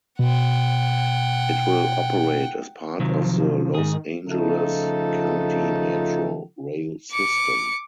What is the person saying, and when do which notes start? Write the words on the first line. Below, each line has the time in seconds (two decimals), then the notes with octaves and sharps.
It will operate as part of the Los Angeles County Metro Rail system.
0.19 B2 F#5 G5
3.00 C3 D#3 F3 F#3
3.74 G#2 D#3 G#4
4.27 C#3 F3 A3 D#4 F4 A4
7.11 D6 C#7